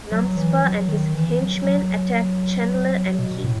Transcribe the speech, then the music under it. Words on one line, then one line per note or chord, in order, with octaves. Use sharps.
Numspa and his henchmen attack Chandler and Kee.
F#3
E3
F#3
D#3
E3
F#3
F#3
B2
A2